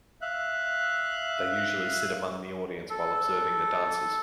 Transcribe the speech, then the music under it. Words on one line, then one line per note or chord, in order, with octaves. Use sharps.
They usually sit among the audience while observing the dances.
E5 F5 F#6
A4